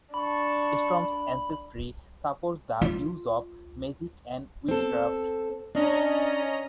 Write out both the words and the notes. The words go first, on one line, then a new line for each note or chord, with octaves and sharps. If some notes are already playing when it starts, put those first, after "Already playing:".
Storm's ancestry supports the use of magic and witchcraft.
D4 A5 B5 C#6
F4
C4 A4
C#4 D4 D#5 A#5